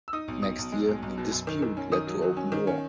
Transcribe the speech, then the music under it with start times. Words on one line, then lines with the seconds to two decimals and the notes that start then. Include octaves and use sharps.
Next year the dispute led to open war.
0.08 E6
0.13 D#4 D#6
0.28 B1
0.42 B1 D#6
0.58 B1
0.72 G#3
0.88 B1
1.03 B1
1.18 B2
1.32 F#2
1.47 D#3
1.62 D#3
1.77 C#4
1.92 D#3 D#6
2.07 F#3
2.22 F#3
2.37 C#4
2.52 D#3
2.67 C#4